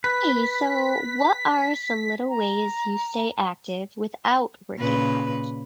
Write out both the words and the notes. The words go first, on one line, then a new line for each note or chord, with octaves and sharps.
Hey, so what are some little ways you stay active without working out?
B4 B6
A#5
A#2 C#3 B4